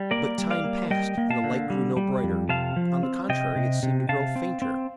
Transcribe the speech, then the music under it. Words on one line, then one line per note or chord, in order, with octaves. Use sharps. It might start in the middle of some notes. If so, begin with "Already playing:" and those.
But time passed, and the light grew no brighter; on the contrary, it seemed to grow fainter.
Already playing: G3
A#3 A#4 D5
G3
D5 F5
A#3
G3 D#5 G5
A#3
F5 A5
D3
G3
G3
F2
C3 F5 A5
F3
C4
C3 D#5 G5
C3
C3
C3 F5 A5
C4
C4